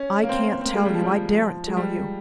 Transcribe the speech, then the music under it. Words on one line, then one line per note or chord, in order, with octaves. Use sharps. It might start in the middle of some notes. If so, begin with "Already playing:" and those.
"I can't tell you--I daren't tell you."
Already playing: C#4
A#3
C4
C4
A#3
G#3
G3
F3
G3
F3
G#3
G3